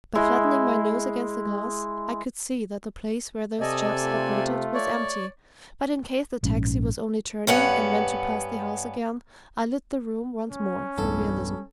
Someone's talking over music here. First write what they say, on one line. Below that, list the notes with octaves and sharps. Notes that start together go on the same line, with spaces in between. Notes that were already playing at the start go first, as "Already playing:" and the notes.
By flattening my nose against the glass I could see that the place where those chaps had waited was empty; but in case the taxi was only turning, and meant to pass the house again, I lit the room once more, for realism.
G#3 E4
C3 A4 D5 D#5 G#5
A3 F4
C#5 D5
A#1 G#2 C#4
G2 B3 C#4 F#5
C#4
B1 E2 G2 A4